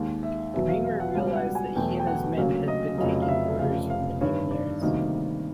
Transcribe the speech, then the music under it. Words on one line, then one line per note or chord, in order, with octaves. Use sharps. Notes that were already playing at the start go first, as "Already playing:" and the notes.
Remer realised that he and his men had been taking orders from the mutineers.
Already playing: D#2 D#3 G#3
E5
E2 B2 F#3 E5
F5
F5
F#5
C#2 B2 G3 F5
F#5
G#5
E2 B2 F#3 A3 G5
G5
F#5
D2 C#3 F#3 A#3 F5
D#5
F1 F2 C#3 F#3 D#5
F5
E5
F1 F2 C#3 F5
F5
G1 G2 D#3 C#5
D5
D2 C3 D#3 G3 A#3 D#5